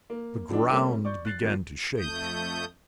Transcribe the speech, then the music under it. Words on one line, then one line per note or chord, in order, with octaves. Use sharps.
The ground began to shake.
A#3
F1 E3 F3 D4
C3 G3 A3 A#3 C#4
D5 C#6 G6
F#6 A6 C7
G#1 D#2 F3
F2 A3 D#6 G6